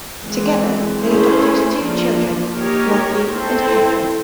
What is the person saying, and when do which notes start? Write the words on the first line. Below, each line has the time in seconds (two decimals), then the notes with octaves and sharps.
Together they adopted two children, Matthew and Katharine.
0.23 E3 G#3 C4
1.00 A3 C#4 E4 G#4 C5
1.77 F3 A#3 D4
2.54 A#3 D#4 G4 A#4 C#5
3.30 C4 E4 A4 C5